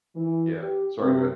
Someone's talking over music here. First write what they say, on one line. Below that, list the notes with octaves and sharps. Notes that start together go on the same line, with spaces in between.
yeah, sorry, go ahead.
E3
G4
C3